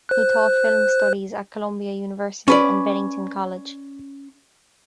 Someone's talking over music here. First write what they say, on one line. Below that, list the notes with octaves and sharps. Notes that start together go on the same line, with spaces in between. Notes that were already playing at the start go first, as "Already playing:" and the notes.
He taught film studies at Columbia University and Bennington College.
C5 F#6
C#4 B4 D5